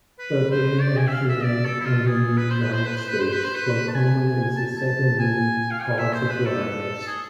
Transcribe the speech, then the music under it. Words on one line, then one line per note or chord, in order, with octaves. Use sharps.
Both internationally and in the United States glaucoma is the second-leading cause of blindness.
B4
C5
D5
G#5
E5
F5
E5
D5
A4
E4
F4
G#4
B4
C5
B4
C5
B4
C5
B4
C5
B4
C5
B4
A5
G#5
A5
A5
G#5
F5
G#5
E5
C5
B4
A4
G#4